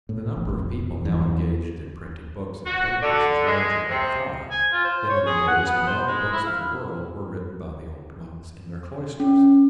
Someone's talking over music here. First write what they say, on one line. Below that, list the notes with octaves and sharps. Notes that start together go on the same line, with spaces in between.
The number of people now engaged in printing books and papers is larger by far than in the days when all the books of the world were written by the old monks in their cloisters.
A2
A1
F1
E2
F#4
D3
G#3
C3
G#5
F4
C5
C#5
G#4
F#5
B3
C5
G#3
E4
F5
C#4